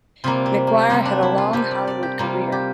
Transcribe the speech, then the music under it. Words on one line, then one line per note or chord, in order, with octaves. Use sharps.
McGuire had a long Hollywood career.
C3 G3 A#3 F4
C4
A#3
C3 G3 A#3 C4
D4
E4
F4
C3 G3 A#3 G4
D5
D5
G4
C3 G3 A#3 F4
G4